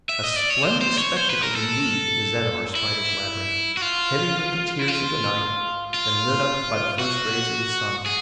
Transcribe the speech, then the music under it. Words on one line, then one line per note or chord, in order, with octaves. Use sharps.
A splendid spectacle indeed is that of our Spider's labyrinth, heavy with the tears of the night and lit up by the first rays of the sun.
E5
D#5
D5
C#5
C5
C5
C#5
C5
B4
A#4
A4
E4
F#4
F4
E4
F4
F4
F#4
G#4